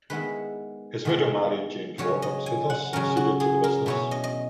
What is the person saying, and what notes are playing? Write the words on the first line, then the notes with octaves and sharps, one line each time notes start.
His widow married James Roberts, who thus succeeded to the business.
D#3 G#3 B3 E4 B4
D#3 G#3 B3 E4
C#3 F#3 C#4 C#5
D#5
G#5
F#5
C#3 F#3 C#4 A#4
F#4
G#4
A#4
B2 F#3 C#4 E4 C#5
D#5
D#5